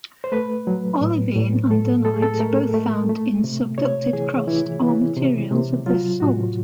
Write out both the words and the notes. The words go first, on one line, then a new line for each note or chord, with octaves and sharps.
Olivine and dunite, both found in subducted crust, are materials of this sort.
C5
A3 B4
F#3
A2
A2
A2 A4
A3 A4
G#4
A4
A3 A#4
A3
A3
C3
C3 C#5
E3 G#4
E3 E4
E3
C3
C3
F#3 F4
A2 F#4